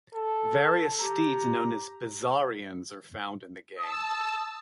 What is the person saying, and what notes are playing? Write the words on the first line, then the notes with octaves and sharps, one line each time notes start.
Various steeds known as bizarrians are found in the game.
A4
G4 A#5
A5 D#6 E6